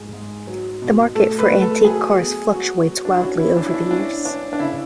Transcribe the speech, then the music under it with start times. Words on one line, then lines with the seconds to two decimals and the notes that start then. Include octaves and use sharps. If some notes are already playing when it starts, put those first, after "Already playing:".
The market for antique cars fluctuates wildly over the years.
Already playing: G#2 G#4
0.13 G#2
0.47 F#3
0.82 B2
1.15 A3 A4
1.39 B4
1.50 A3
1.62 A4
1.85 F#3 G#4
2.19 B3
2.53 F#3 F#4
2.88 F#3
3.05 D4
3.14 E4
3.21 C#4 F#4
3.39 E4
3.56 C#4 D4
3.67 E4
3.74 D4
3.91 C#4 D4
4.25 C#4 D4
4.53 D4
4.59 C#3 E4